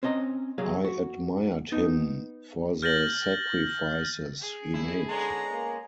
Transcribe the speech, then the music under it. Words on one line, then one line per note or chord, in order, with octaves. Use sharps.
I admired him for the sacrifices he made.
C4 C#4 D#5 A5 A#5
C2 F#3 G#4 F5
F#4
B3 D#4
F6 G6 A6 A#6 F#7
G#4
F#2 E4
D3 G#3 B3 C#4 A#5
A#3